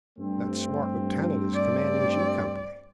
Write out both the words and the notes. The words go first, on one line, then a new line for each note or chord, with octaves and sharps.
That smart lieutenant is commanding 'G' Company.
G2 A3 C4
D5